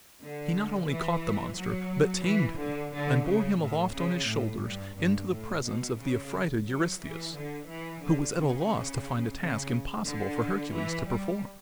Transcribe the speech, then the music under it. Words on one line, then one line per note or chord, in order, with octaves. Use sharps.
He not only caught the monster, but tamed him, and bore him aloft on his shoulders, into the presence of the affrighted Eurystheus, who was at a loss to find a task impossible for Hercules to perform.
D3
E3
F#3
E3
D3
D3
C#3
A2
C#3
A2
G2
G2
A2
B2
C#3
F#3
E3
D3
E3
D3
C#3
C#3
D3
E3
G3